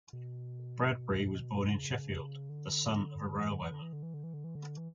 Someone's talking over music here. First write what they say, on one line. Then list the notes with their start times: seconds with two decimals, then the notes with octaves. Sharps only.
Bradbury was born in Sheffield, the son of a railwayman.
0.13 B2
1.71 C#3
2.49 D3
3.30 D3
3.39 E3
3.51 D3
3.61 E3
3.71 D3
3.82 E3
3.93 D3
4.03 E3
4.14 D3
4.24 E3
4.34 D3
4.44 E3
4.55 D3
4.77 E3